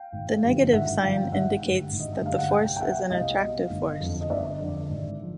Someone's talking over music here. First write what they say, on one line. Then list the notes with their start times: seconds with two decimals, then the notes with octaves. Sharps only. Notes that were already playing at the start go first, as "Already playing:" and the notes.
The negative sign indicates that the force is an attractive force.
Already playing: F5 G5
0.12 G#1
0.42 G2 D3 F3
0.72 G#1 E5 F#5
1.02 G2 D3 F3 F5 G5
1.32 G#1 E5 F#5
1.62 G2 D3
1.91 G#1
2.00 D#5
2.13 E5
2.21 G2 D3 F5
2.38 F#5
2.51 C2 F5 G5
2.76 G5
2.81 B2 E5 F#5
3.10 C2 D#5 F5
3.41 B2
3.70 G1
4.00 F2 D3
4.21 D#5
4.30 G1 D5 E5
4.60 F2 D3
4.90 G#1
5.22 F3